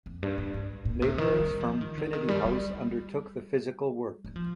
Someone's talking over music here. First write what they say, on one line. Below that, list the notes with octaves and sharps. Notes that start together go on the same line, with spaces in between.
Labourers from Trinity House undertook the physical work.
F2
G2
G2
G2
A#2
C3
D#3
G3
F3
D#3
D3
D#3
G3
G3
G3
F3